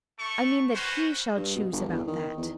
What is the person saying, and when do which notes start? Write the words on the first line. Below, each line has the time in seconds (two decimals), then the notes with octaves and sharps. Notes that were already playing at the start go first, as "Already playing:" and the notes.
"I mean that he shall choose about that."
0.18 A3 C#6
0.74 C#4 F#4 B4 C5
1.37 G2
1.56 B2
1.73 G1
1.89 E2
2.08 D#3
2.38 E2